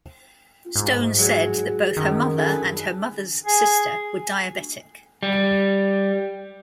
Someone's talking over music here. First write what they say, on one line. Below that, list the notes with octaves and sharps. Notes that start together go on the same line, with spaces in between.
Stone said that both her mother and her mother's sister were diabetic.
G#2
F#3 G#3 C#5
F#2 D#3
G#4 A4 B4
G#4
G3